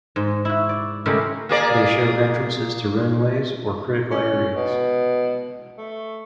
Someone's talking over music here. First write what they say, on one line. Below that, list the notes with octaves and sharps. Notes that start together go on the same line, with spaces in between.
They show entrances to runways or critical areas.
G#2
E4 F#4
D5
C#3 G#3 A3 E4 G4 A#4
A#3 G#4 D5
C#4
B2
A3